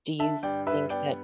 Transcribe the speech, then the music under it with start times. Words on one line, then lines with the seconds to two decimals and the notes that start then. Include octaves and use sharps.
do you think that
0.19 D3 E5 A5
0.43 G2 D5 G5
0.67 G2 B4 E5
0.90 B3 D5 G5